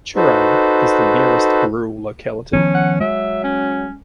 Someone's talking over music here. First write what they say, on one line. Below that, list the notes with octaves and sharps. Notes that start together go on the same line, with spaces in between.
Turan is the nearest rural locality.
D#4 F#4 A4 B4 C5
D#3 F3 B3 C#4
F#5
F#3 G#3 E5
C#4